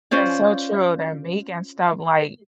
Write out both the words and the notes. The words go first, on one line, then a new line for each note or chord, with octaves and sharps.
That's so true, they're making stuff like
C#4 F4 C5 D5